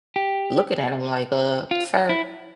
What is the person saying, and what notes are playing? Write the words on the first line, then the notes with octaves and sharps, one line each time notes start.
looking at him, like, "Uh, sir,
G4
F4
E4